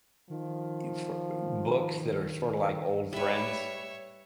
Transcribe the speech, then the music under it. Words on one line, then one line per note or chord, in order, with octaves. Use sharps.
e for uh, books that are sorta like old friends.
D#3 F3
G3 B4 C#5 E5